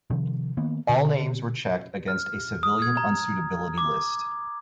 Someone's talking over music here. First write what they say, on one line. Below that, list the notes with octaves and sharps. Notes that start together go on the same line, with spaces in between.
All names were checked against a civilian unsuitability list.
C3 D#3 F3
D#3 A#3 B3
B2 D3
F6
D#6
G#6
A#5
D6